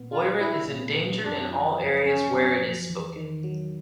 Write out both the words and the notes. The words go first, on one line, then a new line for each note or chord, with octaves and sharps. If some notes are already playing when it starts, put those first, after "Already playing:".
Oirat is endangered in all areas where it is spoken.
Already playing: A#2 B3
D4 F4
G3 E4
A#2
B3
F#2 D4
F3
F#2
C#3 C#4
F#2
F3
E2
D#3
F#3